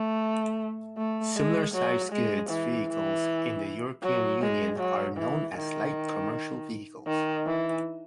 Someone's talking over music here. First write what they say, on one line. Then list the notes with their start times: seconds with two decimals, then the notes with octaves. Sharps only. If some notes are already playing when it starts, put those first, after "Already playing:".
Similar sized goods vehicles in the European Union are known as light commercial vehicles.
Already playing: A3
0.98 A3
1.36 G#3
1.75 F#3
2.12 G#3
2.50 E3
2.89 E3
4.03 F#3
4.41 G#3
4.79 F#3
5.17 E3
5.55 D#3
7.07 D#3
7.47 E3